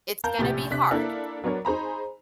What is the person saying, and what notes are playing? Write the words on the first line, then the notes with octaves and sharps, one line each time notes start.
It's gonna be hard.
A#4 F5 A5 A#5 G6
A#1 A2 C3 G4 A6
C3 D4 F#6 B6
A#3 D4 E4 A4 A#4
F#3 B3 D4 A#4 C#5
D#4 G#4 C5 A#5 B5